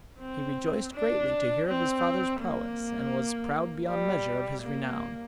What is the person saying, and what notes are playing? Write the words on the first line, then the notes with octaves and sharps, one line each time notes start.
He rejoiced greatly to hear of his father's prowess, and was proud beyond measure of his renown.
C4
D4
C4
A#3
G3
A#3